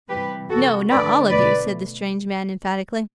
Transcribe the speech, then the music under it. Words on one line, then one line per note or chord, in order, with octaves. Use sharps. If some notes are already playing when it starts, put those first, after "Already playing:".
'No, not all of you,' said the strange man emphatically.
C3 E3 G3 G4 B4
C3 G3 F#4 A4
D3 A3 B4 D5
B2 A3 B4 D5